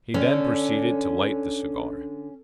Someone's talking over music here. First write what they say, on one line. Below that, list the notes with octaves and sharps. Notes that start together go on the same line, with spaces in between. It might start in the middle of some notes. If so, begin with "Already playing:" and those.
He then proceeded to light the cigar.
D3 C#4